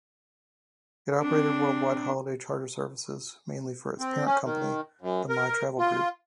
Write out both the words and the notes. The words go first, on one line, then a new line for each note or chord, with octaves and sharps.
It operated worldwide holiday charter services mainly for its parent company, the MyTravel Group.
C4 D4
C4
C#4
D#3
F#2
A#4
F4